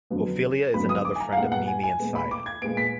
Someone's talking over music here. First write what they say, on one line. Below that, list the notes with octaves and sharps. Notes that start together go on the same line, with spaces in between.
Ophelia is another friend of Nemi and Cyan.
F2 D3 F#3 B3
F2 D3 F#3 B3 B5
D#6
D6
G#5
A#5
F5
A#2 G#3 B3 F#5
F#5
G#5
G#5
A#2 G#3 B3
B5
D6
G#6
A#2 G#3 B3 D7
B6